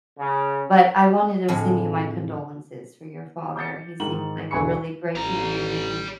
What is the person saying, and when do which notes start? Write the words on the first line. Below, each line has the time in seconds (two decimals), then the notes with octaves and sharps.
but I wanted to send you my condolences for your father, he seems like a really great man, um,
0.19 C#3
1.48 F2 A2 D3 G#3
3.56 D6 G6 A6 C#7
4.00 G#2 D#3 F#7
4.51 E1 D3 G#5 B5 C#6 C#7
5.16 A1 G3 A#5